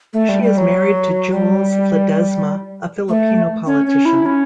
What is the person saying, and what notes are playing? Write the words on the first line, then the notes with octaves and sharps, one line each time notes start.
She is married to Jules Ledesma, a Filipino politician.
A3
G3
G3
F#3
G3
A3
C#4
C#4
E4
C#4